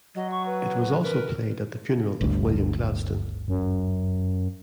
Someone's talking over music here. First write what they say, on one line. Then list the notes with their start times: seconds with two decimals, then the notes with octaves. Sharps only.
It was also played at the funeral of William Gladstone.
0.15 F#3 D#5
0.30 C#6
0.46 B4
1.02 A#4 B4
2.21 G1 D2
3.48 F#2